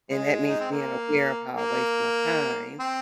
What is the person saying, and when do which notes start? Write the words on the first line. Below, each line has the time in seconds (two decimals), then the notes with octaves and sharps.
and that means being aware of how I waste my time
0.11 G#3
0.48 D#4
0.60 C4
0.72 A#3
1.56 A#3
2.80 C4